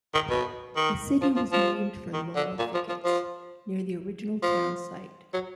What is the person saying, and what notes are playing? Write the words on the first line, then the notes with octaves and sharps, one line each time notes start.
The city was named for laurel thickets near the original town site.
D#3
B2
D#3
F3
F3
F3
D#3
D3
A#2
F3
F3
F3
F3
F#3